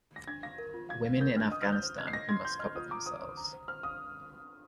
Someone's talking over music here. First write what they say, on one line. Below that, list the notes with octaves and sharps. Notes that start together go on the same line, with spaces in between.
Women in Afghanistan who must cover themselves.
A#6
D4 G#6
F5 A#6
A#4
F4
F5 G#6
F5
A#4 G6
D4 F6
D#5 D#6
C5 F6
G6
C5
D#5 G#6
C7
D#5 A#6
C6 G#6
C6 G6
D#5 F6
F4 D#6
A#5 D6
C5 D#6
C5
A#5
C5
C5 F6
F5 D#6